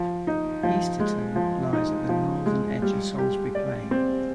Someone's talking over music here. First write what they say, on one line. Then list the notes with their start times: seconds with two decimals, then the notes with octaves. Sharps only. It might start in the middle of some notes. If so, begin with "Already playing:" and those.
Easterton lies at the northern edge of Salisbury Plain.
Already playing: F3
0.27 D#4
0.63 F3
1.00 G#3
1.36 F3
1.73 D#4
2.09 F3
2.46 G#3
2.82 G3
3.18 G4
3.55 D5
3.91 C4